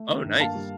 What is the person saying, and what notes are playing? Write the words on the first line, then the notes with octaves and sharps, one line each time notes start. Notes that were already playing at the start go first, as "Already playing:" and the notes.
Oh, nice.
Already playing: A3
D#3
G2
A#3 F5 A5
G3